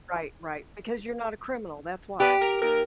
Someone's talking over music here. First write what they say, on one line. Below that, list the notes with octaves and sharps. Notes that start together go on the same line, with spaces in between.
Right, right, because you're not a criminal, that's why.
B3 G4 B4 D5
A#4
D#2 A#4